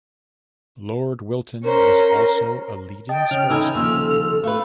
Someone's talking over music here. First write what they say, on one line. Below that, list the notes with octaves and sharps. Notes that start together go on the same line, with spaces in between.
Lord Wilton was also a leading sportsman.
C#4 A#4 C5
D#5 G5 A5
C#3 C#5 F6
E3 D#4 A4 G#5 E6
D#2 F3
A3 B4 F5